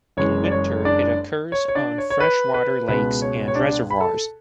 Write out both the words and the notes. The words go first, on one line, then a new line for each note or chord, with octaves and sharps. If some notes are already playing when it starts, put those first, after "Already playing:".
In winter, it occurs on freshwater lakes and reservoirs.
F#1 F#2 E3 G#3 C#5
D5
C#5
D4 D5
C#5
C#5
D4 D5
C#5
C#5
B4
B4
C#2 B2 G#3 B3 B4
C#5
C#5
D4 D5
B5
A4 A5